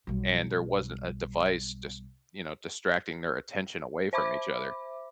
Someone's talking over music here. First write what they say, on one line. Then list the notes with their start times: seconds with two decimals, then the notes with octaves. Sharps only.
and there wasn't a device just, you know, distracting their attention away from each other.
0.07 B1 G3
4.13 C5 E5 B5 D6